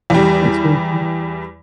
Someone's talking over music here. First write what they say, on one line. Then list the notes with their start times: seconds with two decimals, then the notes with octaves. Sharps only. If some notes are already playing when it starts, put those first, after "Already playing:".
That's really cool.
0.10 E2 G3